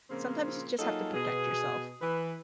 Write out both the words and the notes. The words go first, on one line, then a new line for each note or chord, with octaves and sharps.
"Sometimes you just have to protect yourself."
A#2 C#3 F3 A#3 C4
F#3 A#3 D#4 F4 G#4 A4
B2 G#4
E3 B4